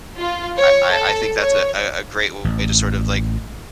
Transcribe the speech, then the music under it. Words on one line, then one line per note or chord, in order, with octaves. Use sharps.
I I I think that's a, a great way to sort of like
F4
C#5
A4
C#5
A1